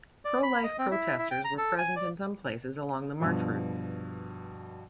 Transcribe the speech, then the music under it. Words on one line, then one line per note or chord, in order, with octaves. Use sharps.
Pro-life protesters were present in some places along the march route.
D5
B5
D#5
C4
E4
E4
G5
A#5
A4
G#5
D5
G2 B2 F3